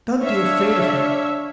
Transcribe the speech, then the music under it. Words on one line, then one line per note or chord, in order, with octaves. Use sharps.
Don't be afraid of me.
D4 C#5 E5 F5